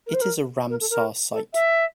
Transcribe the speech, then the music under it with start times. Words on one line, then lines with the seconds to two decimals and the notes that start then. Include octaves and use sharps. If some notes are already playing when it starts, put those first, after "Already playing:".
It is a Ramsar site.
0.06 A#4
0.14 C5
0.21 A#4
0.70 A#4
0.80 A4
0.90 A#4
1.33 A4
1.53 E5